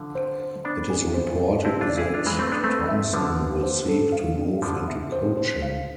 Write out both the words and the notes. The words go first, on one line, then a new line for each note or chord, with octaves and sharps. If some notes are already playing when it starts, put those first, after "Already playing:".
It is reported that Thompson will seek to move into coaching.
Already playing: D3 F3 F5
C5
C5
B3 D4 B5
G#5
C5
C5
C4 E4 A5
D4 F4
D5
E4 G#4
D4 F4 B4
E3 G#3
A3 C4 B4
B3 D4
A3 C4 B5
E5
D3 F3 B4
B4
C5
A4
F5
D4
D3 F3 B5
E5
C5
C5
F5